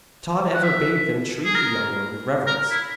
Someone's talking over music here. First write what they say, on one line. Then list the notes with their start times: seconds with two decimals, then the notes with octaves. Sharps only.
Tod ever bade them treat the young lord with reverence.
0.54 F#5
0.62 E5
1.44 G#4
1.55 A#4
2.47 A#4
2.70 E4